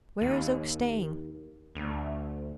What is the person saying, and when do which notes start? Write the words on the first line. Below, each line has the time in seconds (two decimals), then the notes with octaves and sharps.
"Where is Oak staying?"
0.21 D#2
1.75 D2